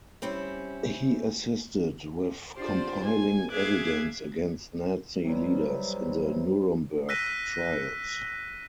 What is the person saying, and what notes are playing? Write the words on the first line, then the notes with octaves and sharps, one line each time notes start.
He assisted with compiling evidence against Nazi leaders in the Nuremberg trials.
G3 C4 C#4 E4
D4 F4 G4 C5 D5
G#5
G#4 E5 F5 D6 F#6 G#6
C3 E3 F#3 G3
E6 F#6 A#6 B6 D#7